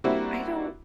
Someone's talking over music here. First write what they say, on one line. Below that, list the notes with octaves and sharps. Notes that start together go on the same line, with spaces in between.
I don't
G3 A#3 C4 D4 E4 F#4